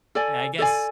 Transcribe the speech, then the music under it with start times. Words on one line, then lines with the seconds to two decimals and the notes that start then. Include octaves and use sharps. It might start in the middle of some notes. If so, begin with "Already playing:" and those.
and I guess
0.15 A4 D5 G#5
0.59 A4 D5 G#5